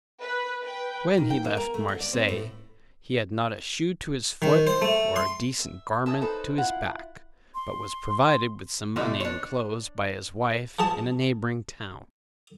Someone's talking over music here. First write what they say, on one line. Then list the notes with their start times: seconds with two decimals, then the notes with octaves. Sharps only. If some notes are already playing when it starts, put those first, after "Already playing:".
When he left Marseilles, he had not a shoe to his foot or a decent garment to his back, but was provided with some money and clothes by his wife in a neighbouring town.
0.21 B4
0.62 B4 G5
1.17 D#3
1.30 G5
1.45 A#3
1.57 A#4
1.74 A3
1.88 D3
2.00 D5
2.13 C4
2.28 A2
4.42 D#3
4.67 C5
4.82 A3
5.16 C6
5.59 E5
6.06 E5 A5 D#6
6.22 D#4 A4 B4 C5
6.58 E4 F4 F#5
7.55 C6
8.96 B2 D3 G3 A3 D4 E4
9.20 D4 C#5
10.79 F3 G#4 A5